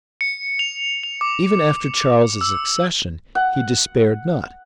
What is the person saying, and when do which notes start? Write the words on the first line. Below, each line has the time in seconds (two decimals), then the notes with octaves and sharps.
Even after Charles's accession he despaired not.
0.21 C#7
0.59 F7
1.03 F7
1.21 D6
2.41 E6
3.35 F#5